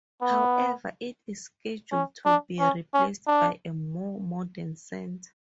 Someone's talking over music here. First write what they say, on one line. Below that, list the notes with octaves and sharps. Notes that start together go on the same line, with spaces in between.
However, it is scheduled to be replaced by a more modern center.
B3
C#4
D4
C#4
C#4
D4